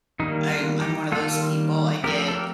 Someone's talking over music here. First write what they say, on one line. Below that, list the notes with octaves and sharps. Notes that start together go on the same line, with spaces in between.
I'm I'm one of those people, I get,
D#3 G3 A#3 D#4
D4 F4
D#4 G4
D#3 G3 A#3 F4 A4
F3 A3 C4 G4 A#4
A4
G4 A#4